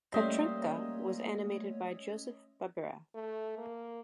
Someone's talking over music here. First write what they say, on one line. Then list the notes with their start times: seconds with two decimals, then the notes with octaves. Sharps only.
Katrinka was animated by Joseph Barbera.
0.14 G3 A3 A#3 C#4 C#5 D#5 E5 C6
3.15 A3
3.58 A#3